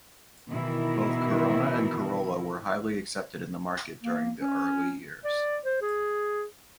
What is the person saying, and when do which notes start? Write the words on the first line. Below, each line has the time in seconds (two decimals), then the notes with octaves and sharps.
Both Corona and Corolla were highly accepted in the market during the early years.
0.48 B2 D#3 E3 E4 A#4
4.03 A#3
4.39 C#4
5.24 D5
5.65 C5
5.82 G#4